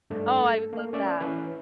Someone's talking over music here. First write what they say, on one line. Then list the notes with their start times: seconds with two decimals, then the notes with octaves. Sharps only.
Oh, I would love that.
0.10 G2 A3 D4
0.38 A4
0.73 A3 A#3
0.93 C#4 D5 E5
1.20 E3 C#4 B4